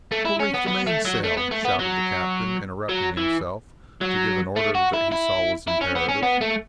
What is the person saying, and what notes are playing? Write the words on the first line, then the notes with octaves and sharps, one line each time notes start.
"Double-reef the mainsail!" shouted the captain, interrupting himself, to give an order that he saw was imperative.
A3
E4
C#4
B3
B3
A3
F#3
A3
B3
A3
B3
F#3
F#3
E3
F#3
A3
F#4
E4
E4
E4
C#4
B3
C#4
B3
A3